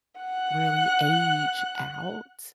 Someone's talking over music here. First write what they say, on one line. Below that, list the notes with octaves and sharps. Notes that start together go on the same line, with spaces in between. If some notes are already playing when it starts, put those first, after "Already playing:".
really age out.
F#5 F#6